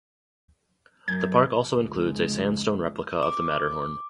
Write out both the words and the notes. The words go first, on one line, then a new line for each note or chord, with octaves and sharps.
The park also includes a sandstone replica of the Matterhorn.
F#2 G6 G#6
F1 C#2 G#3
D6